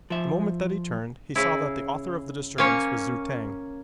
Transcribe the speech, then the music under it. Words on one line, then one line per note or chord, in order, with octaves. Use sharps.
The moment that he turned he saw that the author of the disturbance was Zu-tag.
F3 E5
C#3 E4
A#3 C#4 C#5